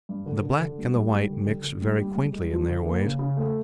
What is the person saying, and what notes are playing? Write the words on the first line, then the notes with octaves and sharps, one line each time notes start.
The Black and the White mix very quaintly in their ways.
G2
D3
D3
D3
G3
G3
G3
D3
D3
D3
G3
G3
G3
G#3
F3
D3
A#3
C#3
C#3
A3